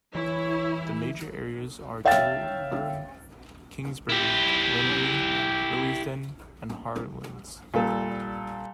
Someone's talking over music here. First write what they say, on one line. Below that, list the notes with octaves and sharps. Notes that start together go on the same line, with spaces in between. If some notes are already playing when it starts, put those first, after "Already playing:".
The major areas are Kilburn, Kingsbury, Wembley, Willesden and Harlesden.
E3 E4 C#5
C#5 E5 F5 G5 A6
E4 G4
A#2 G3 A4 E6